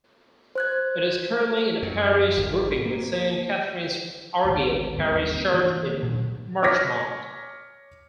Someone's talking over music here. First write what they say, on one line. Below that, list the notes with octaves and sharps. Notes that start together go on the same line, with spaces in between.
It is currently in a Parish Grouping with Saint Catherine's-Argyle Parish Church in Marchmont.
C5 F#6 G#6
F#2
G#1
A#3
G#1 D2
G1 D#2 A#3 C4
E3 A#3 B3 D4
A#2 D#3 F#3
C#5 D6 F6 G#6 A#6 B6